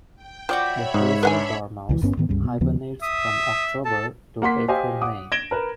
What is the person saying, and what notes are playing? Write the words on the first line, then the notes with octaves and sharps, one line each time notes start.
The hazel dormouse hibernates from October to April-May.
G5
F3 F#4 C#5 D5 E5 G5 B5
G#2 G#4
D4 B4 F#5 G#5
C#2 D3 E3
G1 G2 B3 C#4
G#2 D#3 B3
C#2 G2 C#3
B2
D#2 C#3 F3 B3
E5 D#6
A4 A5
A#3 F#5 C6 B6
G4 C5 D#5 F5 G#5
F#5 D6 D#6
G#6 A#6 D7 E7 G7
A#4 B4